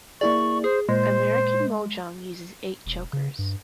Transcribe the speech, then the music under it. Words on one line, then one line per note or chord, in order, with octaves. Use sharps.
American mahjong uses eight jokers.
A#3 E4 G#4 D5 C#6
G#4 C5
A#2 G#3 C5
E1
C#3
G2